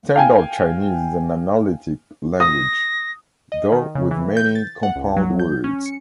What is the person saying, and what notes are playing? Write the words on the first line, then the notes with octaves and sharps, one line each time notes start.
Standard Chinese is an analytic language, though with many compound words.
F5 G5 G#5
D#6 A#6
D#5
D#3
C#3
E3
G6
A6
F#5
C#2
F#3
G6
C#4
C#7